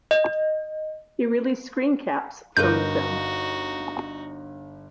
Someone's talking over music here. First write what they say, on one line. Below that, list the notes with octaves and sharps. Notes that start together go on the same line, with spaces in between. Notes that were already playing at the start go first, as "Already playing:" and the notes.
He released screencaps from the film.
D#5
G1 D#4 F#4 A#4 B4 D#5 G6